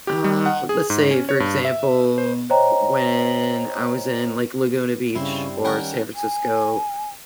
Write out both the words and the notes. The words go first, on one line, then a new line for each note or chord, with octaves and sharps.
Uh, let's say, for example, when I was in, like, Laguna Beach or San Francisco
G4
G3
F#5
G#4
G#2
C#4
C#5
G2
E5
C5
C5 C#5 D#5 G5 A#5
G2 C#3 G3 C4 E4 C6
D#3 C#4 A#4 F#5 G5
G#5